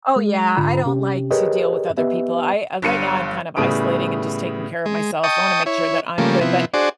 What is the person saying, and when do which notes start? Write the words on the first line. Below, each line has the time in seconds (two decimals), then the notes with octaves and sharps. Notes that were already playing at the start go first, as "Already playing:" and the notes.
Oh yeah, I don't like to deal with other people, I, uh right now I'm kind of isolating and just taking care of myself, I wanna make sure that I'm good, but
0.16 G#3
0.56 G#2 D3 F4 A#5 B5
0.84 C3 C#4 G4
1.31 G4 G#4 A#4 B4 C#5 D#5
1.97 B3 G4 B4 D#5 E5
2.82 G1 G2 C#7 D#7
3.57 A2 C#3 G3 B3 D#6 D7
4.86 G#3
5.24 D#5 G5 A5 C#6 D#6
5.66 E4 C#5
6.18 C#3 F3 G3 A3 A#3
6.41 C3 F3 B3 E4
6.74 D4 F#4 G#4 C5 D5